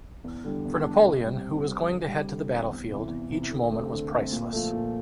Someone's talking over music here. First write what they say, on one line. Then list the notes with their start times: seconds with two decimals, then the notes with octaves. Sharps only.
For Napoleon, who was going to head to the battlefield, each moment was priceless.
0.24 E2
0.44 D3 G3 D4
0.65 E2
0.85 D3 G3 D4
1.06 C3
1.26 G3 C4
1.46 C3
1.67 G3 C4
1.88 D3
2.08 G3 C4
2.29 D3
2.48 G3 C4
2.69 E2
2.90 C3 E3
3.10 E2
3.30 C3 E3
3.50 D3
3.71 A3 C4
3.91 D3
4.11 A3 C4
4.33 A#2
4.53 F3 A3
4.73 A#2